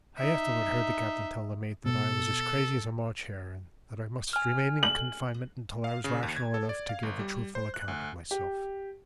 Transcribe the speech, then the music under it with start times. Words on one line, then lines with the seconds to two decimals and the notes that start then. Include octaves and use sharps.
I afterward heard the captain tell the mate that I was as crazy as a March hare, and that I must remain in confinement until I was rational enough to give a truthful account of myself.
0.18 D#4 E5
1.86 B2 A4
4.33 G#5 F6
4.83 F#7
5.84 F5
6.04 C#3
6.23 D#2
6.36 G#6
6.54 A4
6.69 D5
6.89 F5
7.03 G1
7.19 G3
7.55 C5
7.74 F#6
7.88 D2
8.31 G4